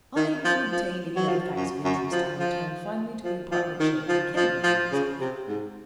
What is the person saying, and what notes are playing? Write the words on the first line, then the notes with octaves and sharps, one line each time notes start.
Unable to obtain any other facts of interest, I returned finally to the apartment shared by Kennedy and myself.
D#3
F3
F3
F#3
F3
F#2
F#2
F3
F3
F3
F3
D#3
F3
F3
F3
C#3
C3
G#2